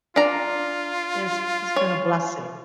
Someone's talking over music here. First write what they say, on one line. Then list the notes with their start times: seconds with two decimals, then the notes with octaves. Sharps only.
It's it's been a blessing.
0.16 D4 F4 A#5
1.76 C#5